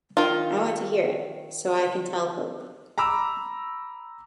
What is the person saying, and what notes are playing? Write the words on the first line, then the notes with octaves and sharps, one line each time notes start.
I want to hear it, so I can tell Hope.
D#3 F4
A#5 B5 D6 E6